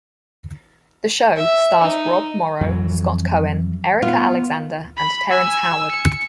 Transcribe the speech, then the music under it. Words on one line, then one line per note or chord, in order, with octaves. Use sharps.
The show stars Rob Morrow, Scott Cohen, Erica Alexander and Terrence Howard.
E5
D#4
F2 E3 F#3
B3 F4
B5
G#5 E6
C#7